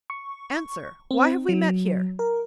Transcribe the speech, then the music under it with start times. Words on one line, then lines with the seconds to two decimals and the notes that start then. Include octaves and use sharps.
Answer: why have we met here?
0.10 C#6
1.11 C4
1.49 F#3
2.19 A#4